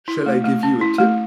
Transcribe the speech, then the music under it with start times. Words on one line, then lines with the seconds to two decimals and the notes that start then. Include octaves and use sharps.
Shall I give you a tip?
0.08 E4
0.26 A3
0.44 A3
0.63 C#4
0.81 E4
0.99 A3